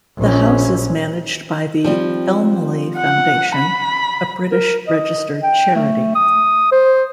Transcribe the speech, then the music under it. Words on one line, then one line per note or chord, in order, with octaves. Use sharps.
The house is managed by the Elmley Foundation, a British registered charity.
A#1 C#4
F3 G3 C4
F#5
B5
A#4
D#5
G5
A3
D#6
C5